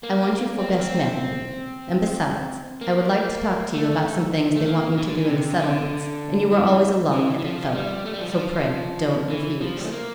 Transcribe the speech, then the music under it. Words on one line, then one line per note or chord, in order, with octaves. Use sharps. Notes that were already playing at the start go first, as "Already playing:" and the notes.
I want you for best man, maybe; and besides, I would like to talk to you about some things they want me to do in the settlements, and you were always a long-headed fellow: so pray don't refuse.
A#3
C4
A#3
C4
A#3
A3
A3
A#3
E3
D3
E3
C3
D3
E3
E3
E3
F3
G3
A3
G3
F3
G3
F3
E3
F3
G3
A3
A#3